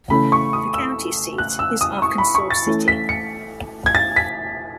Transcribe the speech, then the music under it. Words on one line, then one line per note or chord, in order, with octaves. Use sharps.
The county seat is Arkansas City.
C#3 E3 A3 C#4 B5
C#6
D#6
E6
F#6
E6
D#6
C#6
B5
C#6
A6
E3 A3 C#4
B6
C#7
G#6
A6
B6